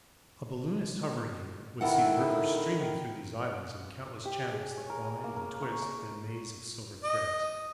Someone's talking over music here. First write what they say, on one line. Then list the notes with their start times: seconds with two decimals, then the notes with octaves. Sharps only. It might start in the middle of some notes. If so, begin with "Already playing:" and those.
A balloonist hovering here would see the river streaming through these islands in countless channels that wind and twist in a maze of silver threads.
1.81 D#3 D4 E4 A4 F#5
4.25 G4
4.52 G#4
4.77 C#5
4.90 A#4
5.02 D#6
5.24 A#3
5.36 A#4
5.62 C#6
5.82 D6
7.04 D#5